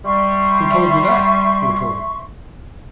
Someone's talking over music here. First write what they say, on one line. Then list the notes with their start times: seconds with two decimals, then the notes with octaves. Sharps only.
"Who told you that?" he retorted.
0.05 G3 E5 C6 C#6